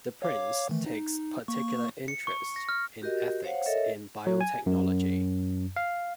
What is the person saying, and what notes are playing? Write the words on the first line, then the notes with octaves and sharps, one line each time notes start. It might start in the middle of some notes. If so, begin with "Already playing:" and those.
The prince takes particular interest in ethics in biotechnology.
C#5 F5 D6
D#3 E3 A3
D#4
A#3 C#6
C#7
C#6
A#6
F6
F#4 G4 A#4 D#5
C5 C#5 F5 F#5
A4 A#4 C#5 D#5 E5
F#3
G#5
F#2
F5